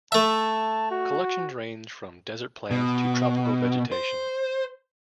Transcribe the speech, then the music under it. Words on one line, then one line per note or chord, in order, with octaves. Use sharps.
Collections range from desert plants to tropical vegetation.
A3 E5 A5
F#4
B2
C5